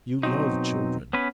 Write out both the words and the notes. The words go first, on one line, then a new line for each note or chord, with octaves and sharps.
You love children.'
B2 F#3 C4 D#4
B3 C#4 B4